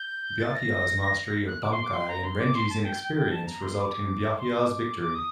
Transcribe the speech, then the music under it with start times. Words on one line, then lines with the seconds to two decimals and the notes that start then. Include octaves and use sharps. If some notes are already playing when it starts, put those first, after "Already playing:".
Byakuya's mastery of bankai and Renji's inexperience result in Byakuya's victory.
Already playing: G6
0.40 A6
0.55 A#6
1.47 F#6
1.63 D6
1.72 C6
1.83 D6
1.93 C6
2.08 A#5
2.24 C6
2.39 D6
2.55 C6
2.69 A5
2.85 G5
3.01 G5
3.15 G5
3.31 A5
3.46 A#5
3.62 C6
3.77 D6
4.39 C6
4.54 D6
5.00 D6
5.15 D#6